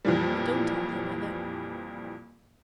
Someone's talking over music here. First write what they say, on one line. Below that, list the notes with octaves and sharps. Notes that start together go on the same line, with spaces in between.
But don't tell her, mother.
F2 A#2 E3 F3 G3